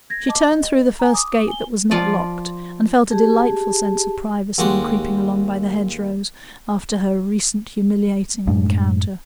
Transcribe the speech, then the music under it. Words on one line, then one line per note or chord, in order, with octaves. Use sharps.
She turned through the first gate that was not locked, and felt a delightful sense of privacy in creeping along by the hedgerows, after her recent humiliating encounter.
G#6 A#6
D#5 A5 D6
D#5
G#5 A#5
D6 D#6
G#5 G7
F3 F4 D5
G4 G#4 A5
D#2 G#3 F#4 G4 C6
F#2 A2 G#3 D4